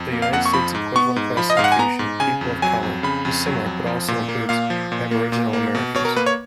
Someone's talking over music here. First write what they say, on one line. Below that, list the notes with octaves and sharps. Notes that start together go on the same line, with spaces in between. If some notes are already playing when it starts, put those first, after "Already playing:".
The United States' equivalent classification-"people of color"-is similar, but also includes Aboriginal Americans.
Already playing: F2
A#3
F5
F2 F#5
C#6
F3 B5
G#2
B3 C#6
G#2
F3 B5
D#5
G#2 F5
F#5
G#5
B3 A#5
G#2
C#3 G#5
F2
F#3 G#5
F2
C#3 B5
F2
F#3
F2
F3
A#2
A#3
A#2 F5
F3
A#2
A#3
A#2
A#3
B2
B2 C#5
A#4
A#3 B4
C#5